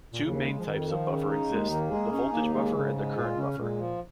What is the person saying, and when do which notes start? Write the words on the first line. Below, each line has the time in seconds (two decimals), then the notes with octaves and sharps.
Two main types of buffer exist: the voltage buffer and the current buffer.
0.12 A#2
0.23 D#2 C#3
0.45 G#3
0.60 F3
0.66 F2 D#3
0.87 F3
1.07 C#3
1.29 D#4
1.49 D#2 G#3
1.70 D#3 A#3
1.90 G#3 G#4
2.12 C#4 D#4
2.32 D#2 A#3
2.54 G#3 A#3
2.75 G#2 C#3
2.95 G#3
3.16 A#2 F4
3.37 C#3 C#4
3.58 A#2 G#3
3.79 F3